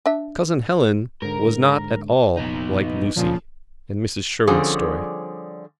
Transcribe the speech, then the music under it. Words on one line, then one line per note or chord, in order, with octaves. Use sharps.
Cousin Helen was not at all like "Lucy," in Mrs. Sherwood's story.
D4 E5
G#2 D3 A#4
F1 A#1 B3 D#4
A#2 C#3 F3
D3 F3 G3 C4 C#4 G#4